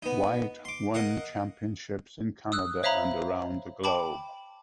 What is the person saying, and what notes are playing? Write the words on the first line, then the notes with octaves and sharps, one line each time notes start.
White won championships in Canada and around the globe.
B3 D#4
C6 D6
A#4 D#5 F5 F#5
D#6 E6 F#6
C5 C#5 E5 F5 A#5 B5
G5 A5 B5 D6